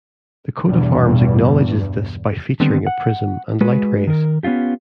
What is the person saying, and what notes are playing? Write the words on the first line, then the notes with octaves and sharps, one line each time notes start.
The coat of arms acknowledges this by featuring a prism and light rays.
E2 G2 B2
D3 D#3 G3 B3 C4
F#5
G#3 F#4 B4
D#3 A#4
B3 C#4 E4 F4 G4